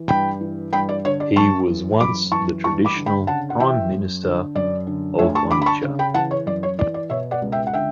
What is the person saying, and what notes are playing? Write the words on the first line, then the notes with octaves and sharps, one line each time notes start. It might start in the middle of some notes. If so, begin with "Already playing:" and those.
He was once the traditional Prime Minister of Onitsha.
Already playing: E3
G2 G5 B5
E3
G2 G5 B5
D5
D3 C#5
D5
F#2 A5 C#6
E3
F#2 B5 D6
E3 A5 C#6
G2 A5 C#6
B5 D6
D3
G5 B5
C#3 F#5 A5
F#5
E3 E5 G5
F#2
D3
F#2 D5
D3
D2 C#5 E5
A5 C#6
D3 B5 D6
B5
A5 C#6
C#3
G5 B5
E3 F#5 A5
C#5
F#2 D5
C#5
E3 D5
D5
B2 C#5 E5
D5 F#5
C#2
E5 G5
F#5
D3 E5 G5